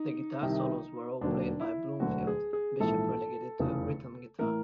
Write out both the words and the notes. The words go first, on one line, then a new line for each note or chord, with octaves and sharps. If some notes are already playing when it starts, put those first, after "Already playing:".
The guitar solos were all played by Bloomfield, Bishop relegated to rhythm guitar.
Already playing: D#4
C2 C3 D#3
E1 D#2 D3 F#3 D4
E4
E1 D2 D3 F#3 F#4
G#4
G#4
A#1 G#2 E3 A4
F1 E2 C#3
A2 E3 A#4